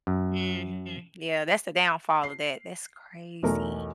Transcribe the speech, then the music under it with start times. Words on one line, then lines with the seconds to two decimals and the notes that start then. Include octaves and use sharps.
Mhm. Yeah, that's the downfall of that. That's crazy.
0.07 F#2
2.23 C7
3.43 B1 E2 A3 A#4